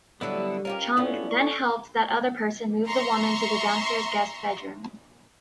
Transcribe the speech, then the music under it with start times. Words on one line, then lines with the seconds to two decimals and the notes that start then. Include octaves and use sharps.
Chung then helped that other person move the woman to the downstairs guest bedroom.
0.21 D3 F#3 G3 B3 E4 A4
0.65 C#4 F4 G4 A#4
0.97 B3 C#4 E4 F4 A4 D5
1.31 C#6
2.87 E5 A#5 C6 C#6